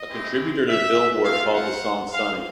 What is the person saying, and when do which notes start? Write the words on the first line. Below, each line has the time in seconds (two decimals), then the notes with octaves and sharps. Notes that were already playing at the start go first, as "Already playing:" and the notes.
A contributor to "Billboard" called the song sunny.
Already playing: D#5
0.09 G#3 C4 E4 G4
0.68 E5
1.24 A3 C4 F4 F5
1.53 F#5
2.12 F5